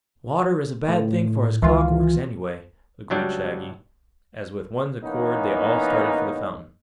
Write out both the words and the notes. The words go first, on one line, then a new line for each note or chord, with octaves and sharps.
"Water is a bad thing for his clockworks, anyway," agreed Shaggy, as with one accord they all started for the fountain.
A2
C#2 D#3 E3 F4
C#2 F#3 G3 D4
E3 A#3 B3 C#4 D#4